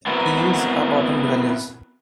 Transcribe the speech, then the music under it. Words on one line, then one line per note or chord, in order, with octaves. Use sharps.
Eels are bottom dwellers.
B3 C4 E4 F#4 A#4 B4